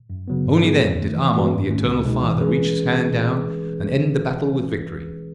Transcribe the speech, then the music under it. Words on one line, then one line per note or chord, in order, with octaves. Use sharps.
Only then did Amon the eternal father reach his hand down and end the battle with victory.
F#2
C#3 F#3 B3
G#2
F#3 B3 D#4 G#4
F#2
D#3 A3
E3
G#3 B3 F#4 B4
G#2
D#3 A3 C#4
C#2
B2 G#3 D#4
E3
G#3 C#4 G#4 B4